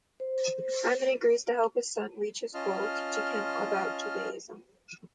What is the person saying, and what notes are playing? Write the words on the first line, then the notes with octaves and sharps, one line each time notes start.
Hyman agrees to help his son reach his goal, teaching him all about Judaism.
C5
C#4 F4 D#5 A5 C6 F6